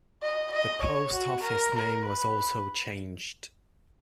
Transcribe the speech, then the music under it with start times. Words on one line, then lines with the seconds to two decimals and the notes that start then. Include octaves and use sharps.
The post office name was also changed.
0.22 D#5
0.52 D#5
0.83 C#5
1.14 F#4
1.43 A#4
1.75 A#4
2.06 B4